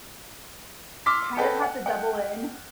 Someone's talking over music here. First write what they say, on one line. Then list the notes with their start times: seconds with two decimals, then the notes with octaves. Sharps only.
kind of have to double in
1.06 C6 D6 E6 F6 B6
1.37 A4 B4 D#5 F#5 G5 A5
1.62 F#5
1.86 F#5 G5